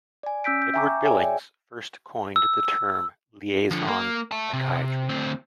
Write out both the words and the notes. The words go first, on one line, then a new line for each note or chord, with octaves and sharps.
Edward Billings first coined the term liaison psychiatry.
D5 G#5
C#4 E6 G6 B6 D7
G6
E5 G5 G#5 A#5 C#6 D6
G#4 C#5 D5 E5 G5 G#5
D5 G5
E6
D3 F3
A#3
E5 A5
C3
D2 C4